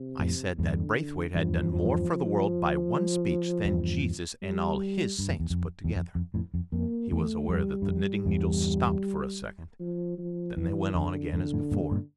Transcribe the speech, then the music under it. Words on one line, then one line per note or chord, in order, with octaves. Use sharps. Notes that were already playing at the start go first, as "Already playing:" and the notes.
"I said that Braithwaite had done more for the world by one speech than Jesus and all His saints put together." He was aware that the knitting-needles stopped for a second; then they went on again as before.
Already playing: C3
F2 A2
E2 G2 D3
E2 G2 F3
F3
F3
E2 G2
G3
G2
F2
E2
F2
E2
F2
F2
F2 A2
F2
F2 A#3
E2 A3
F2 G3
G2
F2
E2 G2
F3
F3
F2 E3
F2 D3
E2 G2 D3
F2 A2
G2 A#2
G2 A#2